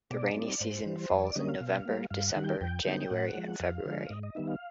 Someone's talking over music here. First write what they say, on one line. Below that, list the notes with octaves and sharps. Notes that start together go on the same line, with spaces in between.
The rainy season falls in November, December, January, and February.
B2 D5
G3 C4 D#4
G#2 C5
E3 G3
F2 C#5
D5
D3 G3 A#3 C#4 D#5
F5
B2
G3 A#3
G2 F5
F#5
D#3 G3
G5
F2 G5
D3 G3 B3 D#4
A2 F#5
F3 G#3
F2 F5
D3 F3 G#3
G#2 D#5
D#5
D#3 G3 B3 D#4 E5
F5